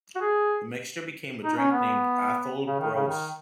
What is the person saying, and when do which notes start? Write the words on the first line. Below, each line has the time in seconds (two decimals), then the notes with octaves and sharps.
The mixture became a drink named Atholl Brose.
0.15 F#4
0.21 G#4
1.44 D#4
1.57 C#4
1.71 B3
2.67 C#3
2.80 D#3
2.95 C#3
3.08 D#3